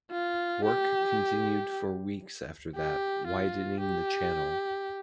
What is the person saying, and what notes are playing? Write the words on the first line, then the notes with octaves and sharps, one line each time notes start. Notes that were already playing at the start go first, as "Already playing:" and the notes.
Work continued for weeks after that, widening the channel.
F4
G4
G4
F4
G4